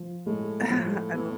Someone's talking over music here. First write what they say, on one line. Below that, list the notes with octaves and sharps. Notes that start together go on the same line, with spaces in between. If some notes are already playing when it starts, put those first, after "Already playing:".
Ah, I l
Already playing: F3
A2 G#3
G#2
A2 F3
A2 B3